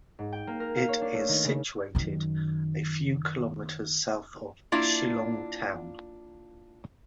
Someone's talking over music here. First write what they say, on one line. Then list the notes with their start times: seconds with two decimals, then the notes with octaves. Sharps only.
It is situated a few kilometers south of Shillong town.
0.19 G#2
0.32 G5
0.47 A#3
0.60 A#4
0.76 F5
0.89 C#5
1.02 D4
1.15 A3
1.29 D#3
1.45 C#3
1.95 F#2 D#3
4.72 A#3 D4 E4 F4